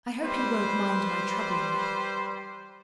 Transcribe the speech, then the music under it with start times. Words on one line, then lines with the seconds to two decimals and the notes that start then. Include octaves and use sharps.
I hope you won't mind my troubling you.
0.22 G3 B4 C5